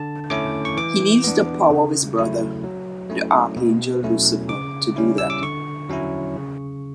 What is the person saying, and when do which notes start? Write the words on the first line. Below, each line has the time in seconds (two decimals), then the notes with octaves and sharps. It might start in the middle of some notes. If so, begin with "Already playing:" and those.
He needs the power of his brother, the Archangel Lucifer to do that.
Already playing: D3 A5
0.30 A3 C#4 E4 D6
0.65 C#6
0.77 E3 D6
1.24 B3 D4
1.70 C#3
2.17 F#3 A3 E4
2.64 F#3
3.10 A3 C#4 E4
3.57 B2
4.03 F#3 A3 C#4 E4
4.49 C#3 D6
4.96 G3 C#4 E4
5.18 E6
5.30 D6
5.42 D3 C#6
5.89 F#3 C#4 E4
6.36 C#3